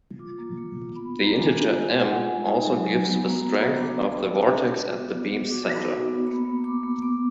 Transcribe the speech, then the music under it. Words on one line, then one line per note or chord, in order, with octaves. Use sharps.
The integer "m" also gives the strength of the vortex at the beam's centre.
F4 D6
A#3
A#3
F4
B3 B5
D4
A#5
D4 G#5
F4
G#3 G#5
G#3
F#5
G#3 G#5
G#3
D#4 G#5
F#3
F#3 G#5
B3
F#4 A#5
A#3 A#5
D4 B5
A#3 D6
D4
G#3
D4
F#4
F4
B3
B3
B3
F#4 D6
D#4
F#4
B3
A#3 B5
A#3
A#3 D6
A#3
B3 D6